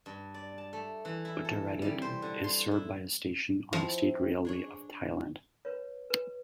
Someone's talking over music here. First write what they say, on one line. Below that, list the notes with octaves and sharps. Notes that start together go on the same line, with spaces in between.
Uttaradit is served by a station on the State Railway of Thailand.
G2
D5
A5
A3
E3
E4
A4
G3
C5
D3
C6
E4
F3 C4 E4
D4 G#4 C#5
B4 C#5
B4